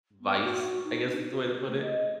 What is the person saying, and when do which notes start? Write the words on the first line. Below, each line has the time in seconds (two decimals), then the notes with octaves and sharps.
vice, I guess is the way to put it,
0.21 B3
0.42 F#4
0.84 D#4
1.04 D4
1.29 F#4
1.42 G4
1.68 A3
1.81 D#5